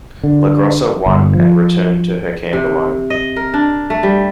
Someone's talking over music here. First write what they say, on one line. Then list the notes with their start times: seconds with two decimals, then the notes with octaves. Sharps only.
LaGrossa won and returned to her camp alone.
0.24 D3
1.06 G1
1.34 F3
2.53 C3
3.10 D#5
3.36 A#4
3.54 D4
3.90 A3
4.03 G3